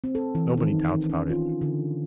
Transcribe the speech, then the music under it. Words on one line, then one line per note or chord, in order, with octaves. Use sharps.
Nobody doubts about it.
C4
A4
E3
D#3
C#4
F4
D3